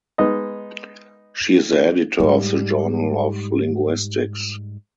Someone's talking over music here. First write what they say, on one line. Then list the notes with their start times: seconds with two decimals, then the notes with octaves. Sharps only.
She is the editor of the "Journal of Linguistics".
0.18 G#3 B3 D#4 D#5
2.20 G#2 G3